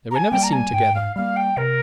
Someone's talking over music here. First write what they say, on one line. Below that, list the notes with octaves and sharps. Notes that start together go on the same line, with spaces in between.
They were never seen together.
A#5
G#5
G3 A#3 G5
A#5
G#5
G#2 G5
F5
G3 A#3 F5
G5
C3 A#4